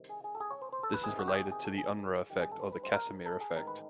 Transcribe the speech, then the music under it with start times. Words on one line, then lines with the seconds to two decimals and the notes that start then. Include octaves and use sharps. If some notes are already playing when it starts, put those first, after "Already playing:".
This is related to the Unruh effect or the Casimir effect.
Already playing: C2 C3 D#3
0.09 G#4
0.24 G#4
0.35 A4
0.40 G#4
0.50 C#5
0.62 C5
0.73 C5
0.83 A4
0.94 B4
1.03 E2 C3 D#3 G#4
1.19 F#4
1.28 G4
1.35 G#4
1.51 G#4
1.64 A4
1.78 G#4
2.30 G#1 G2 D#3 G4
2.41 G#4
2.52 A4
2.61 C5
2.72 B4
2.84 C5
2.94 A#4
3.25 A4
3.40 G#4
3.56 A1 G#2 D#3 A#4
3.67 B4